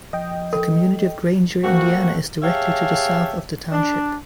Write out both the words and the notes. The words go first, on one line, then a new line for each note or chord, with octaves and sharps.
The community of Granger, Indiana, is directly to the south of the township.
F3 D#5 G5
A4
A3 A#3 C4 F#4
G4 G#4 C#5 E5 F5 A5
D4